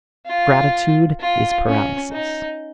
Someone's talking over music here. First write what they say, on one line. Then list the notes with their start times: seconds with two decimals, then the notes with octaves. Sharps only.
Gratitude is paralysis.
0.26 F4
1.20 F4
1.66 C#4
2.12 D#4